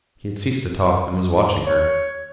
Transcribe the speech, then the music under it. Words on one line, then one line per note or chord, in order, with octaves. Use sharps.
He had ceased to talk, and was watching her.
C#5